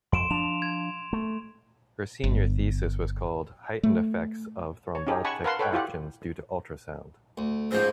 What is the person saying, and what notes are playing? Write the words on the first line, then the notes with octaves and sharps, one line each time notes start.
Her senior thesis was called "Heightened Effects of Thrombolytic Actions Due to Ultrasound".
F2 C6 D7 E7
F3 D4 F7
G#6
A3
G1
A3
C#5
C#4 D#4 G4 G#4
F#5 G#5 A5 B5 C#6
A#4 B4 F5 F#5 A5 C6
A4 B4 C#5 F#5 G5
E4 F4 G4 F#5
D2
C#2 G#2 F3 C5